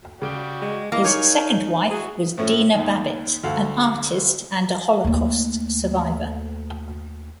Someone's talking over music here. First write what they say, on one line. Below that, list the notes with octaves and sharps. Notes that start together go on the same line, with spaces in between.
His second wife was Dina Babbitt, an artist and a Holocaust survivor.
C#3 F#4 D5 G5 D7 G7
G#3
A#3 E4 A#4 D#5 F5
D#4 G#4 A#4 C#5
E4 F#4 G#4
A2 F3 A3 C#4
D#2 D#3
D2 F#4 A4 F5
D#2 A3